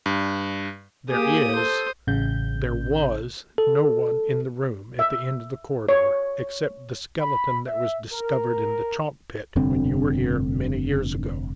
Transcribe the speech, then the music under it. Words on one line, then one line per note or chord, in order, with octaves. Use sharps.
There is--there was--no one in the room at the end of the corridor, except the skeleton that was discovered in the chalk-pit when you were here many years ago.
G2
A#3 G4 G#4 D#6
A4 C5
A1 C#3 G6
A4
E5
C#5
B5
E5
A#4
F1 G2 D3 C4